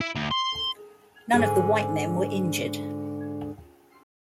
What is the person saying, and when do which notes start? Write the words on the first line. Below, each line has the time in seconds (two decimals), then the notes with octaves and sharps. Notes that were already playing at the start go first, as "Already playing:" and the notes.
None of the white men were injured.
0.01 E4
0.15 D2
0.31 C6
1.34 G#2 D3 G#4